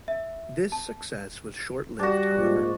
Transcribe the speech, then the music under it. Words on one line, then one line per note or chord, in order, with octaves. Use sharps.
This success was short-lived, however.
E5
A5
G3 D4 F#4
A#1 G#2 F4